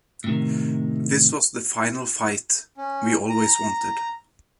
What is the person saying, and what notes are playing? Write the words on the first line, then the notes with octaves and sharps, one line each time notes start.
This was the "Final Fight" we always wanted.
A2 C3 D#3
C#4
A#5